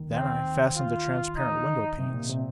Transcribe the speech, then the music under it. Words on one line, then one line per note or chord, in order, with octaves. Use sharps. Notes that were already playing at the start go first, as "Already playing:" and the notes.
Then I fastened the transparent window panes.
Already playing: D#2 D#3
C4
F4
D#4
C3
A#2
C3